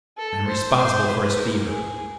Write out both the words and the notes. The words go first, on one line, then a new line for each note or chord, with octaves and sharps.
I am responsible for his fever.
A4
C5
C5
B4
A#4
G#4